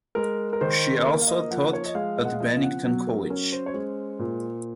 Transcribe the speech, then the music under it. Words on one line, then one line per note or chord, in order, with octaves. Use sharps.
She also taught at Bennington College.
G#3 A#4
A#4
D#3 C5
A#3
F5
D#5
F3 F#5
C#5
D#5
G#3 F5
D#5
F#5
F5
F3 D#5
F5
F#5
F#3 F#5
A#4
C#4 A#4
C5
C#5
G#3 C5
A#2